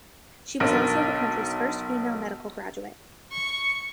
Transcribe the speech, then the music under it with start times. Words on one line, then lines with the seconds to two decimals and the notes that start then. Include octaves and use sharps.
She was also the country's first female medical graduate.
0.60 B1 D3 A#4
3.32 C#6